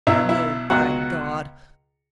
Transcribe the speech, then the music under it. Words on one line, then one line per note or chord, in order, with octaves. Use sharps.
No, by God!
B1 B2 F#3 E4
E4
C#2 B2 F#3 F#4